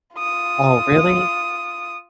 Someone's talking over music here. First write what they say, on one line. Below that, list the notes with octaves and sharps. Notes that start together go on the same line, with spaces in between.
Oh, really?
F4 D#6